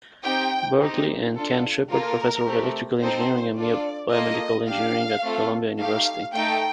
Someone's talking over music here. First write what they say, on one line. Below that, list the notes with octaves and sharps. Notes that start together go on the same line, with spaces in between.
Berkeley, and Ken Shepard, Professor of Electrical Engineering and Biomedical Engineering at Columbia University.
C4 D#4 G4 G5
C4 D#4 G4
D4 F4 A4
A#3 F4 A4 A#4
A3 C4 G4
C4 D#4 A4 C5
D4 F4 A4 D5
A#3 F4 A4 D#5
D4 G4 F5
A3 C4 F4 A4
A3 D#4 G4 F5
A3 D#4 A4 G5